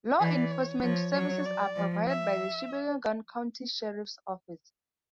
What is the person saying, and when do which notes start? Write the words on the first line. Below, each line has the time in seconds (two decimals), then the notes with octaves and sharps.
Law enforcement services are provided by the Sheboygan County Sheriff's Office.
0.20 E3 D5
0.51 C#5
0.82 F3 C#5
1.13 F#3 C#5
1.45 D5
1.76 F3
2.08 E5